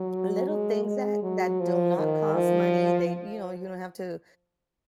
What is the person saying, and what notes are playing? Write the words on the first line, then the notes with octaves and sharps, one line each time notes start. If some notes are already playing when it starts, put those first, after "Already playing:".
Little things that that do not cost money, they you know, you don't have to
Already playing: F#3
G#3
G#3
F#3
F3
D#3
F3